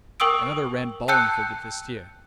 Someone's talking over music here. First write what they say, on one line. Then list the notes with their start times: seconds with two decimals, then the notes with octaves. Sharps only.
Another ran bawling for the vestiaire.
0.20 A#4 G5 C#6 D#6 E6 D7
1.08 G5 A5 E6 F#6 G6 C#7